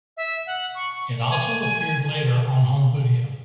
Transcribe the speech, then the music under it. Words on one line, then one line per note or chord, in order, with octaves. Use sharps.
It also appeared later on home video.
E5
F#5
C#6
G#5